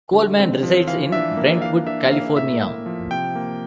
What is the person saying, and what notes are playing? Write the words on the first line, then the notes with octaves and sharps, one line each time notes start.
Coleman resides in Brentwood, California.
D3
C4
F3
E3 F5
D4 E5
A#3
E3 F5
D4 E5
A#3 F5
A2 E5
A#3
F3
C3 G5
A#3